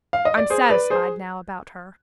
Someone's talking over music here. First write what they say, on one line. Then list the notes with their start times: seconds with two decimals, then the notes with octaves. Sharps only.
I'm satisfied now, about her.
0.13 F5
0.25 D#5
0.37 D5
0.50 G#4 C5
0.70 B4 D5
0.90 G#4 C5